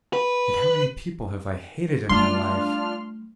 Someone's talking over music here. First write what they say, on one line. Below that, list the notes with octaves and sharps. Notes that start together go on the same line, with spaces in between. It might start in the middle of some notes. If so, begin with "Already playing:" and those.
Yet how many people have I hated in my life?
B4
G3 A3 D4 F4 C6 F6